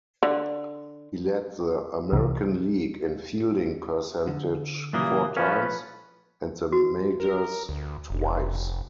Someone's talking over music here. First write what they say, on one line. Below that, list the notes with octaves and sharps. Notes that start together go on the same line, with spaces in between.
He led the American League in fielding percentage four times, and the majors twice.
D3
C2 C3 E3
D3
F#2 A#2 C#3 E3 G3 A#3 D#6
F3 C#4 A#4 B4 D5 F5
F#4
A#4
D2
F1